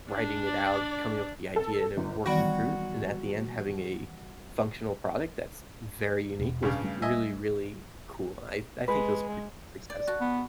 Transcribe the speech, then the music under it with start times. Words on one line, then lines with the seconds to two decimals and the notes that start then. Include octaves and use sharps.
writing it out, coming up with the idea, and then working through it, and at the end, having a functional product that's very unique was really, really cool. I I think it was a pretty success.
0.11 D4 D5
1.56 A4
1.97 G1
2.26 D#3 E3 F#3 G3 B3 F#4 D5
6.40 E1 B2
6.63 G2 C#3
6.84 G3 A3
7.02 D#5 E5 G#5
8.88 G#3 B4
9.90 D5
10.07 F#4 A5
10.21 B3